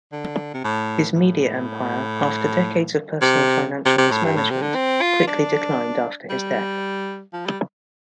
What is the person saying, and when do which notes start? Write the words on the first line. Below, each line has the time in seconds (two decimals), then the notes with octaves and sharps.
His media empire, after decades of personal financial mismanagement, quickly declined after his death.
0.12 D3
0.54 C3
0.64 A2
1.15 A2
3.21 C3
3.85 C3
3.98 C3
4.11 A2
4.24 G2
4.37 A2
4.50 C3
4.62 D3
4.75 C4
5.01 F4
5.27 D4
6.30 G3
7.33 F3
7.46 G3